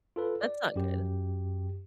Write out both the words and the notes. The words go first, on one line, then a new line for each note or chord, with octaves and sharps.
That's not good.
F4 A4 B4
D5
F#2 G4